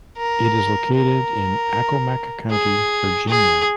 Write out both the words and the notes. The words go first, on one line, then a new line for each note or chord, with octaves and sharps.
It is located in Accomack County, Virginia.
A#4
A#4
G#4
G#4